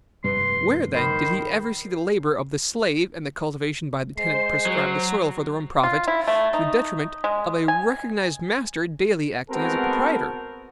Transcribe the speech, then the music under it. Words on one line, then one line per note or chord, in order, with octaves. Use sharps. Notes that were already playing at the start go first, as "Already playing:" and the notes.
Where, then, did he ever see the labor of the slave and the cultivation by the tenant prescribe the soil for their own profit, to the detriment of a recognized master daily acting as a proprietor?
F1 G2 G3 B4 C6
D#3 C5 B5
G#3 C5 C7
F#3
F4
E4
A3
D#4
G#3
G#5
G#3 B3 C4 F#4 A4 A#4